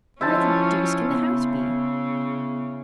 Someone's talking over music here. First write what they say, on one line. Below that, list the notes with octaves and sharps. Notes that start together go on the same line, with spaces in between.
Where the deuce can the house be?
F3 C#4 E4 C5 A5
C#3 B3